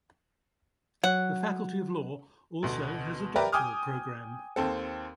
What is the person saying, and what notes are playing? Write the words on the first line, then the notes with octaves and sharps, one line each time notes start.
The Faculty of law also has a doctoral program.
F#3 F#5
D2 B2
G4 A#4 B4 D5 E5 A#5
G5 G#5 D6 D#6 F6
D#2 C4 A4